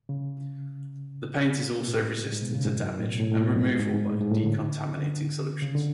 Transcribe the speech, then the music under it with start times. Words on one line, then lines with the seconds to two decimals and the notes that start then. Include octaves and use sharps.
The paint is also resistant to damage and removal by decontaminating solutions.
0.09 C#3
1.82 B2
1.87 A2
2.02 G#2
2.32 G#2
2.42 B2
2.54 C#3
2.65 G#2
2.76 F#2
2.88 F#2
2.99 A2
3.10 B2
3.20 A2
3.32 A2
3.43 G#2
3.54 F#2
3.65 G#2
3.79 G#2
3.94 G#2
4.09 A2
4.21 G#2
4.31 A2
4.43 D3
4.98 D3
5.62 C#3
5.75 D3